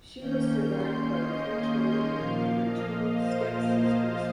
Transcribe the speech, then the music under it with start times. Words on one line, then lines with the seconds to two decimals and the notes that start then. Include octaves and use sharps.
She was survived by her three children and her two stepsisters.
0.20 D#3 A#3 C#4 G6
0.68 C6
1.17 D#5
2.15 A#2 F3 A#3 F5
2.63 D#5
3.12 C5
3.61 C5